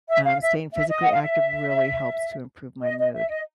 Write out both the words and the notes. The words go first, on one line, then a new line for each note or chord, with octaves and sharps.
um, staying physically active really helps to improve my mood.
E5
F5
E5
E5
D#5
F#5
F5
E5
D#5
D#5
E5
D#5